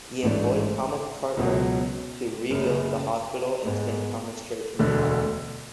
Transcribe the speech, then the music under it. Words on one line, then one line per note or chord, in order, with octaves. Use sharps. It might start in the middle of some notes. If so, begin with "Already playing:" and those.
He employed Thomas Cartwright to rebuild the hospital and Saint Thomas Church nearby.
A1 G#2 E3 A3 D4
C#2 B2 F#3
F#1 F#2 C#3
G#2 G#3 B3
E1 D2 D3 A3